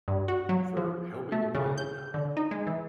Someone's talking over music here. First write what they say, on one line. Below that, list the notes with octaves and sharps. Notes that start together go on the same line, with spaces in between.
for helping the planet out.
G2
F#4
F#3
F3
A3
C#3
G6
D3
D#4
G#3
E3